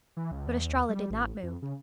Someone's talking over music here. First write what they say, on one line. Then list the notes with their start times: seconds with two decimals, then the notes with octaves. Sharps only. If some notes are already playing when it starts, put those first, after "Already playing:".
But Estralla did not move.
0.17 E3
0.31 C#2
0.47 E2
0.69 D#2
0.89 G3
1.11 A1
1.43 F2
1.62 C#3